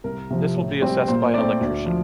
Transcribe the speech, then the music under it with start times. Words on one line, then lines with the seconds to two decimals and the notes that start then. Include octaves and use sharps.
This will be assessed by an electrician.
0.04 C2 A#4
0.30 C3 F3
0.56 A2
0.82 G3 C4
1.08 A#2 C5
1.34 A3 C4 D5
1.61 D2
1.86 F3